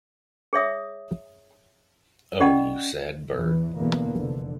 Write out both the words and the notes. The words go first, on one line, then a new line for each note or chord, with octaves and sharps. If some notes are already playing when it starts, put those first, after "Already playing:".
Oh, you sad bird!
G#4 C#5 E5 D#6
C#4 G4 D5 D#5 F#5 B5
E2 E3
E2 B2 D3 E3 A#3 B3
F1 D3